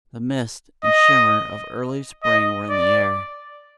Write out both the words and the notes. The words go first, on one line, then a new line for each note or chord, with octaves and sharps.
The mist and shimmer of early spring were in the air.
D#5
D#5
D5